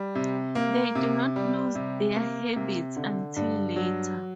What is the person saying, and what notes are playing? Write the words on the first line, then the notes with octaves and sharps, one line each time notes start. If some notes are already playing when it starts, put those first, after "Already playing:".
They do not lose their habits until later.
Already playing: G3
C3
A#3
C3
G3
C3
A#3
C3
D3
G2
F#3